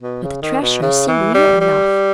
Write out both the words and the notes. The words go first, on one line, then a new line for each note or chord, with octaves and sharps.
But the treasure seemed real enough.
B2
C#3
D#3
B2
C#3
E3
G3
G3